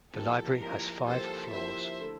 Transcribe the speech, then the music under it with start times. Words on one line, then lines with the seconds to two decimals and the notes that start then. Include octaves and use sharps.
The library has five floors.
0.13 F3 A#3 E4 G4 A4
0.60 F3 A#3 E4 G4 A#4
1.07 F3 A#3 E4 G4 A4 C5
1.53 F3 A#3 E4 G4 C5 E5
2.00 D3 A3 E4 A4